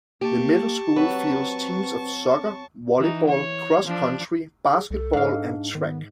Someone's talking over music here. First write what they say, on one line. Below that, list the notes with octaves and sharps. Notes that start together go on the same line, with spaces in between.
The Middle School fields teams of soccer, volleyball, cross-country, basketball, and track.
A#3 G4 A5 C#6
F#3 C4 B4
E3 D#4
C#5
F3 D4
G#4
C2 A4
G#2 F5
D4
D#3 B3